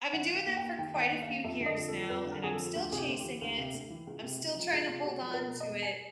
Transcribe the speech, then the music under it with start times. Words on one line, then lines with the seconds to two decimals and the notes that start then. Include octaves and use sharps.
I've been doing that for quite a few years now and I'm still chasing it, I'm still trying to hold on to it,
0.13 D#3 F#5
0.29 D#3
0.35 F5
0.46 D#2
0.57 G5
0.63 D#2
0.79 D#3 G5
0.94 D#3 G5
1.01 F#5
1.11 D#2
1.22 F5
1.27 D#2
1.44 F2 E5
1.61 D3
1.66 D#5
1.77 F2
1.88 A4
1.93 F3
2.10 F2 B4
2.26 D3
2.32 A#4
2.42 F2 G#4
2.53 A4
2.59 F3
2.75 D2
2.92 C3 G#4
2.98 G4
3.09 D2
3.19 G4
3.25 E3
3.41 D2
3.58 C3
3.74 D2
3.90 E3
4.07 C#2
4.23 C3
4.40 C#2
4.56 F3
4.72 C#2 F4
4.89 C3
5.00 G4
5.05 C#2 F#4
5.22 F3
5.34 B4
5.38 B2 A#4
5.55 B2
5.60 D#5
5.70 E2
5.82 G#5